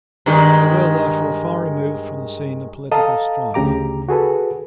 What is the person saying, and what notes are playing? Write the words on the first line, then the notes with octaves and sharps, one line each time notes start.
They were, therefore, far removed from the scene of political strife.
G2 D#3 G#3
A4 D#5 F5 A5 A#5
D2 C#3 G4 A#5 D6
F#4 G#4 A4 B4